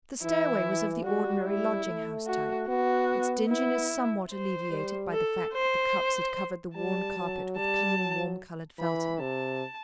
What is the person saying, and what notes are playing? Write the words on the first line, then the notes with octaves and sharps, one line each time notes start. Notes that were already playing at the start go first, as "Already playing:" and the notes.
The stairway was of the ordinary lodging-house type, its dinginess somewhat alleviated by the fact that the Cupps had covered the worn carpet with clean warm-coloured felting.
E3 E4
G3 F#4
E4
A3
F#4
B3 F#4
B3 E4
C5
G3
A4
C5
G3 A5
F#3
G3 A5
F#3
E3 B5
C3 A5